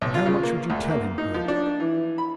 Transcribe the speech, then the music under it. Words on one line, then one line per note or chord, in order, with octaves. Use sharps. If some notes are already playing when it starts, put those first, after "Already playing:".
"But how much would you tell him, Herbert?"
B1
F4
C#3
A#3
D2
A#3
D#4
F3
D4
E3
B5